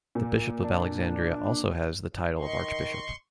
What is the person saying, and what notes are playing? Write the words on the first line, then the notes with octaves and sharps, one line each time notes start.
The Bishop of Alexandria also has the title of archbishop.
A#2
D4
D#3 D#5 C6 C#6